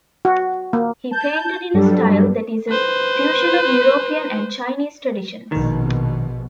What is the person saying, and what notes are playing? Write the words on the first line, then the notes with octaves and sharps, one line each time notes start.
He painted in a style that is a fusion of European and Chinese traditions.
F#4
A#3
A5 G6
G2 F#3 G3 D4 A4
B4 C5
A#1 B2 D#3